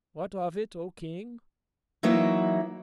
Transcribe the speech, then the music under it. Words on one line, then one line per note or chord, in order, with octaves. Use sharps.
"What of it, O King?"
E3 F#3 A#3 D#4 F#4 E5